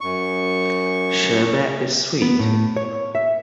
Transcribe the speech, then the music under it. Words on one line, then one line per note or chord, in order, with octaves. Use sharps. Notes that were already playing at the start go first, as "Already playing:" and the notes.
Sherbet is sweet.
F#2 C#6
B3
A2
C#5
E5